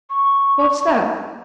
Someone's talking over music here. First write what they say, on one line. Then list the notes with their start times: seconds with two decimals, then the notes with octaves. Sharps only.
What's that?...
0.10 C#6